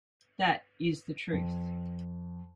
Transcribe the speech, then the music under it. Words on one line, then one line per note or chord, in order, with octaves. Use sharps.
That is the truth.
F2